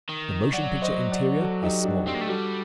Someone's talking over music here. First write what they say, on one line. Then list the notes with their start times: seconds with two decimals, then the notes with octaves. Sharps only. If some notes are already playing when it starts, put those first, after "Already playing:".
The motion-picture interior is small.
0.09 D#3
0.53 F#3 D5 F#5
0.82 C5 D#5
1.12 D5 F#5
1.41 F#4 A4
1.63 D#4 G4
1.84 D4 F#4
2.06 C4 D#4 G4
2.15 A#3
2.21 A3
2.28 G3 F#4 A4